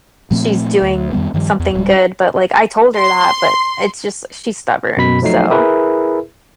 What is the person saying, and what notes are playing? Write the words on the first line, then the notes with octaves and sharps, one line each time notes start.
she's doing something good, but, like, I told her that but, it's just she's stubborn, so
A#2 F3 A3 C4
D2
F2 D#3 G3 B3
G2 D#3 F3 G3
E2
D1 G3
C6
F#2 B2 B5 B6
F3 F#3 A3 D#4 C7
E4 G#4 A#4 B4 E5